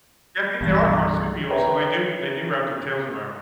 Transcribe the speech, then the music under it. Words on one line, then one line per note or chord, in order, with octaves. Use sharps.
Yeah, I think they are marsupials, so they do they do wrap their tails around.
C2 G2 B2 E3
B4 C#5 E5 G5 A#5